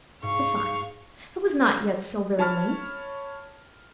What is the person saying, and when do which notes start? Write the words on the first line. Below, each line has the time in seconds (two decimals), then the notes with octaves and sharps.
Besides, it was not yet so very late.
0.22 G#2 F5 C#6
2.39 C#5 A5 B5 C#6 F6 A6